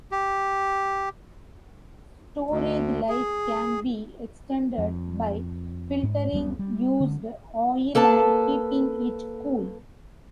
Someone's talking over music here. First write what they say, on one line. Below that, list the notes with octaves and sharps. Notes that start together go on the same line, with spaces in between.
Storage life can be extended by filtering used oil and keeping it cool.
G4
D2
G#4
F2
G#2
E1 B1 G3 B3
G3
D3
A#3 A4 B4 A5